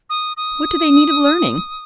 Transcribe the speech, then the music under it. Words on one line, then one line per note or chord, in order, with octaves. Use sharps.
What do they need of learning?
D#6
D#6